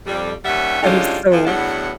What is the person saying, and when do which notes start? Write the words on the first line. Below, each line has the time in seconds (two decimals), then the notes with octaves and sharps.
I'm so
0.07 F2 G3
0.45 D#2 G3 C#4 E5 F#5
0.83 A2 D3 G3 G#3 C#4 F4
1.32 F2 F3
1.45 E2 A2 F#3 B3 D4 F#5